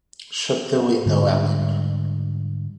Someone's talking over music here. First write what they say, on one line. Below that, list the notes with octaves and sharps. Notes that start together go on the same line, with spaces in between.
Shut the window, Ellen!
G#2 D3 G3